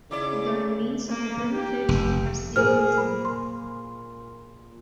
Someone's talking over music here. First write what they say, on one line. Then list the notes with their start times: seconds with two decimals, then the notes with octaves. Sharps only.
The remains of the hermitage are still visible.
0.11 C#3 D#4 E4 D5 D6
1.09 A#3
1.51 G4
1.89 F1
2.56 A#2 A#3 G#4 A#4 C5 F6
2.98 B5
3.25 C6